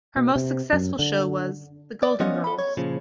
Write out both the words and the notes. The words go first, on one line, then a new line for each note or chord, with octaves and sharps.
Her most successful show was "The Golden Girls".
B2
C3
F#2
D3
D5
F3 B3 C#4 F4 D#5 F#5
A4 B5
C#5
A#2 C#3 F3